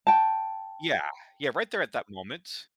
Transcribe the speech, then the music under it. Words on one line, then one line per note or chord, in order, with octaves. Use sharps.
Yeah. Yeah, right there at that moment,
G5 A5